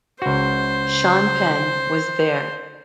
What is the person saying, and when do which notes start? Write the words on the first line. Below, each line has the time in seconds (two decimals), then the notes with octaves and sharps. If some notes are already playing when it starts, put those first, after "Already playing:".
Sean Penn was there.
0.22 C#2 F#4 C5